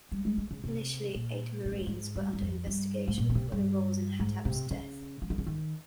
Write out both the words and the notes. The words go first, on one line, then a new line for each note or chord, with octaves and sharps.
Initially eight Marines were under investigation for their roles in Hatab's death.
G3
G#3
G#3
C#3
C3
A#2
A#2
G#2
G2
G#2
G2
G2
F2
G2
G#2
A#2
C#3
C3
G2
G#2
C3
C#3
F3
D#3
C#3
D#3